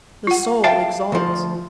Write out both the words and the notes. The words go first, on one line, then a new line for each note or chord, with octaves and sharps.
The soul exults.
F4 F#5
E5 F5 G5 A5
D2 F3